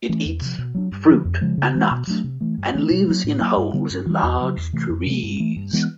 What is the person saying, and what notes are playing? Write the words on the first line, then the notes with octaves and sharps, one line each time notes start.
It eats fruit and nuts and lives in holes in large trees.
E3 A3 C#4
E2
C3 F3
B2
F#3 A3 D4
G2
D3 F3
F2
C#3 F3 G#3
C#3
E3 G#3
B2
F#3 A3 D4
C3
E3 A3
G2
E3 A3 C4
B2
F#3 A#3
A2
F#3 A#3
G2
D3 G3 B3
G2
E3 G3
E2
C#3 F#3
E2
C3 E3 A3
F2
C3 F3 G#3
G2
E3 A3
G2
E3 G#3 B3